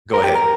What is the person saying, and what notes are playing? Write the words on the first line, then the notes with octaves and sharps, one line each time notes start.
Go ahead.
A#4
G4
A#4